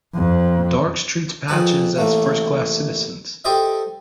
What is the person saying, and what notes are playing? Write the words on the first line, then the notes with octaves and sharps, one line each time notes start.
Darcs treats patches as first-class citizens.
F2
F2 G#4 B4 A5 A#5
A1 A3 A#3
G4 A4 C5 D#5 E5